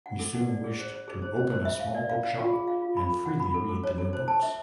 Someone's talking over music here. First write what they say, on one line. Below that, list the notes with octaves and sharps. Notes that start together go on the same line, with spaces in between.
He soon wished "to open a small bookshop and freely read the new books".
F#5
A4
F#5
D5
G#4
C5
C5
G#4
C5
C5
C5
E5
F5
D5
F5
F5
F4
G#4
F5
F4
B5
A4
F#5
B5
A4
A4
C#5
A4
C5
A5
E5